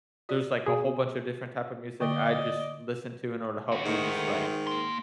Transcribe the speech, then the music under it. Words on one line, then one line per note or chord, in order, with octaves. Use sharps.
There's, like, a whole bunch of different type of music I just listen to in order to help me just, like
F#4 D5
B2 G#4
D3 A#3 D5 D#5
A3 F#4
G#2 D#3
A#3 C6